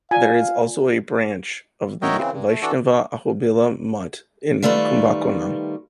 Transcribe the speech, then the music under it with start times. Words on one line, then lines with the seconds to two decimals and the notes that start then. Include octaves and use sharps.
There is also a branch of the Vaishnava Ahobila mutt in Kumbakonam.
0.11 F4 D5 F5 G#5
2.02 F#4 A#4 C#5 D#5 E5 G5
2.17 C#3 E3 C4
2.33 G2
2.49 A3
2.62 E3 D4 F#4 A4
4.63 D#3 G3 A3 F4 B4